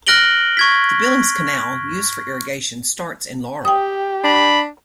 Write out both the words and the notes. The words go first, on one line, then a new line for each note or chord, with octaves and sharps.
The Billings Canal, used for irrigation, starts in Laurel.
F6 F#6 A#6 D7 F#7 G7
C#6 G#6 B6
G4 G5 D#6
D4 B5